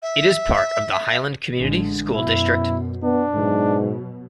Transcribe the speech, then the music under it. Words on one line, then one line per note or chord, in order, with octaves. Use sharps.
It is part of the Highland Community School District.
E5
A1 D3 G#3
F#2 B2 E4
B3 D4
G#2 B2 F#3